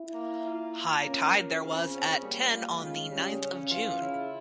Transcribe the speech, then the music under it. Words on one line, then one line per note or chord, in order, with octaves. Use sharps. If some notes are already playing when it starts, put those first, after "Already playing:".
High tide there was at ten on the ninth of June.
Already playing: E4
A#3
F4
A#3
C#4 A#4
C#4 F4
C#3 C4
C4 C#4
G3 A#3
A#3 F4
C#3 G#3
C#3 G3
C#4
E3 F4
C#3 E4